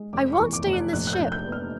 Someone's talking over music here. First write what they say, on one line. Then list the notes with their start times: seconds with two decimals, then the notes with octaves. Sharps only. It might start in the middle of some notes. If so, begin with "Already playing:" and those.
I won't stay in this ship!
Already playing: G#3
0.13 F1 D6
0.33 C#6
0.39 E2
0.53 D6
0.66 F1
0.73 F#6
0.93 A#1 F#6
1.07 F#6
1.13 G6
1.19 A#1
1.32 G6
1.46 B3
1.52 F6